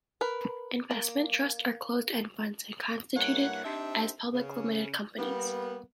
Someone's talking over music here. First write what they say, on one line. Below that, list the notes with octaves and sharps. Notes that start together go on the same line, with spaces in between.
Investment trusts are closed-end funds and are constituted as public limited companies.
A#4 B4
A#3
G2 A#3 E4 C#5 F#5
C4 D4 D#4 G4 C5 E5
C#3
G3 A#3 B3